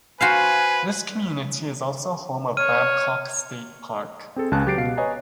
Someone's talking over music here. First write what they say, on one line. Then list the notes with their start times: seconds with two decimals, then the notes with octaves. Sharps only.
This community is also home of Babcock State Park.
0.21 F#4 B4 C5 F5 G#5
2.57 C#5 F6 D#7
4.36 C4 G#4 A4
4.52 C#2 C#3 G#4 A5 F#6
4.66 F#3 G4 B4 A6 C7 D7
4.78 B2 F5 C7
4.97 B4 C#5 D#5 G#5 A#5